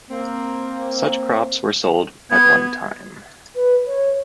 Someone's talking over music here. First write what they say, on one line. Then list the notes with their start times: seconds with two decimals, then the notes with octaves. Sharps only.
Such crops were sold at one time.
0.10 A#3 C4
2.31 B3 G#6
3.56 B4
3.87 C#5